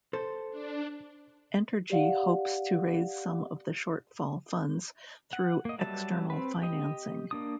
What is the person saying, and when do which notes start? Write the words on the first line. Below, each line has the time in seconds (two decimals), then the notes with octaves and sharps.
Entergy hopes to raise some of the shortfall funds through "external financing".
0.13 A4 C5
0.50 D4
1.90 G4 D5 F5 F#5
5.33 F#5
5.65 A#3 D#5
5.79 F#3 G3 E5 A5
6.30 C4 B4
6.62 G4 D#5
7.31 A#3 D4 D#6